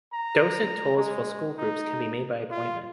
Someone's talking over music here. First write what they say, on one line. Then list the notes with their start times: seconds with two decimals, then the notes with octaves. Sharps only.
Docent tours for school groups can be made by appointment.
0.13 A#5
0.97 G#3
1.57 D#4
2.51 F4